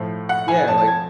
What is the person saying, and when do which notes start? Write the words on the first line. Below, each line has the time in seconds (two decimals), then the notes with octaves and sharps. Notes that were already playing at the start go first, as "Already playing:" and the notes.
Yeah, like
Already playing: A2 F3
0.29 F#5
0.48 G#5
0.67 F2 F3 A5
0.78 A5
0.88 G#6